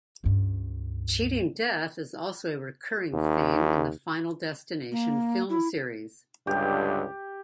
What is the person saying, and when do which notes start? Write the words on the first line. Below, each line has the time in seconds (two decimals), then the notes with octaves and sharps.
Cheating death is also a recurring theme in the "Final Destination" film series.
0.24 C#2 G2
3.13 D#2
4.92 A#3
5.50 E4
6.47 C#2 G2 D3 G4